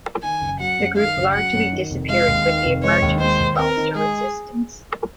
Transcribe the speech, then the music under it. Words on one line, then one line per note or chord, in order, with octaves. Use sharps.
The group largely disappeared with the emergence of Ulster Resistance.
D#3 G#5
F#1
F#3 F#5
F#2
D#3 F5
F#1
F#3 F#5
F#2
D#3
F1
G#3 F5
D#2
D#3
F1
G#3 C#5
D#2
G#3 C5
D#2
C4 A#4
D#3
G#3 G#4